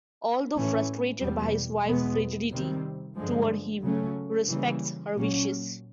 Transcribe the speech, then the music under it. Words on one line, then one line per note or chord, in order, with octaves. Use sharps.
Although frustrated by his wife's frigidity toward him, he respects her wishes.
A2 E3 A3 C#4
E2 B2 G3
E2 B2 G#3 B3
C3 D#3 G3 C4
G2 D3 F3 G#3
C#3 F#3 A3 C#4
C#3 E3 G3 A#3 C#4
A#2 F#3 A#3 C#4